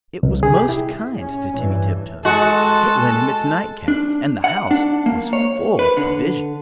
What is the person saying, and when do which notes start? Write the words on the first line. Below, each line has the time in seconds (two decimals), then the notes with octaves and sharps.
It was most kind to Timmy Tiptoes; it lent him its nightcap; and the house was full of provisions.
0.23 C2
0.43 G#4
0.57 G4
0.69 E4
1.19 C#4
1.57 G2 E3
2.25 G#3 F#4 A4
3.88 D4
4.44 F#5
4.71 D4
5.06 A#3
5.33 C#5
5.79 B4
5.97 D3